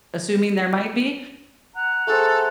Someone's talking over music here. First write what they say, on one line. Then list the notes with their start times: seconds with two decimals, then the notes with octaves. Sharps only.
assuming there might be,
1.74 F#5 A#5 F#6
2.07 A3 G#4 A4 C5